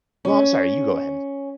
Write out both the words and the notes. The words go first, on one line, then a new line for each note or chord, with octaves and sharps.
No, I'm sorry, you go ahead.
C#4